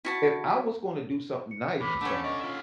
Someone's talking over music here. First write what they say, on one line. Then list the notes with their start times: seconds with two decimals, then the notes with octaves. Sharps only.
if I was gonna do something nice to someone
0.05 E4 F#4 A5
1.51 C#7
1.80 A2 E3 B5 D6 B6
2.01 D3 A3 C#4
2.24 D5 D#5 A#5 C#6
2.40 F4 E5